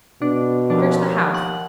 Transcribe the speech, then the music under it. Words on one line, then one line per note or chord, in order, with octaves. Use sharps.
Search the house.
B2 D4
D#2 F3 D4 A#4 A5
F#5